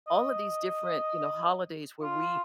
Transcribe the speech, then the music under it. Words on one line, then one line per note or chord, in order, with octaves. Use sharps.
all of these different, you know, holidays where we
D#5
F4